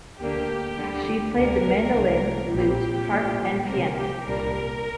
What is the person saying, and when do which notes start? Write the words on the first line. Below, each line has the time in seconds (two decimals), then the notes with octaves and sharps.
She played the mandolin, lute, harp and piano.
0.19 D2 D3 A#3 D4 G4
0.77 D2 D3 G3
1.36 D2 C3 A#3 D4 A#4
1.93 C2 C3 A#3 D4
2.51 A#1 A#2 G3 C4 G4
3.09 A#2 F3 D4
3.66 C2 C3 F3 A#3 A#4
3.95 G4
4.24 C2 A#2 G3 A#3 D4 A#4